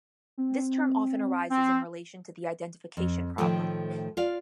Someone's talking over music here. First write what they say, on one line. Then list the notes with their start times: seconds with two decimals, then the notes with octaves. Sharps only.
This term often arises in relation to the identification problem.
0.38 C4
1.50 C4
2.97 F2
3.38 A2 D#3 F3 A3
4.17 F4 D5 F5